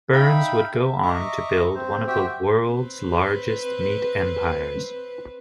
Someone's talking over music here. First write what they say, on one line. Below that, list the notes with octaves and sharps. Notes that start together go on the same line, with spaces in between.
Burns would go on to build one of the World's largest meat empires.
D#4 E5 F5 G5 B5
E5
D#5 E5 A#5 C#6 D6
C4 C5
F#4 G4 C5 E5 G5
C4 B4